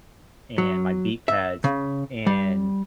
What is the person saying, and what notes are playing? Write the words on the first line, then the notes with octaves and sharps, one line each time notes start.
and my beat pads, and
F#3
E5
C#3
G3